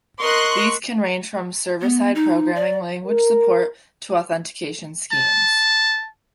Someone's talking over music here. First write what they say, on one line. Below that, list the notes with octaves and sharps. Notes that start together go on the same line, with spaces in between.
These can range from server-side programming language support to authentication schemes.
A#4 D#5 C6 C#6 F#6
B3
D#4
D5
A#4
A5